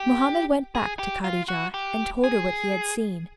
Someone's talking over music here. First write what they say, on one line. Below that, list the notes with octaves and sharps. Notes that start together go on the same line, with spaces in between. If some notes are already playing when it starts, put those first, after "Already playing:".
Mohammed went back to Kadijah and told her what he had seen.
Already playing: G4
G#4
G4
F4
F#4
G4
G#4